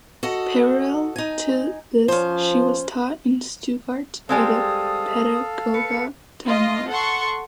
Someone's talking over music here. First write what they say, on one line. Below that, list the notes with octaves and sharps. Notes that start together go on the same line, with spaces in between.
Parallel to this she was taught in Stuttgart by the pedagogue Daimler.
F#4 A4 D#5
D#4 G#5
F3 C#4 C5
G3 G#3 C4 A4 F5 D#6
B4 C#7
F4 D#5
A4 F#5 C6 C#6